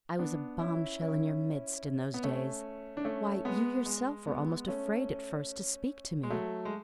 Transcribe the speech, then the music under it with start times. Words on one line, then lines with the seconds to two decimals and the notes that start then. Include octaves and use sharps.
I was a bomb-shell in your midst in those days; why, you yourself were almost afraid at first to speak to me.'
0.19 B3 D4
0.60 C#4 E4
1.01 C#4 E4
2.14 B3
2.23 A3 C#4
2.97 D4
3.05 A3 C#4
3.45 G#3 B3
3.86 G#3
4.27 G#3 B3
4.68 A3 C#4
6.23 G#3
6.30 F#3 A3
6.65 G#3